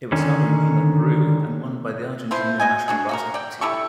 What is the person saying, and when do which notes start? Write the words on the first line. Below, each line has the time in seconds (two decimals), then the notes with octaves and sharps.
It was held in Lima, Peru and won by the Argentina national basketball team.
0.12 D3 D#3 C#4
2.31 F3 E4 F4 C5
2.60 F#4 D#5 G#5
2.88 D4 F#4 G#4
3.09 A#3 F#4 A#4
3.34 D5 G5
3.61 E4 G4 A4 C#6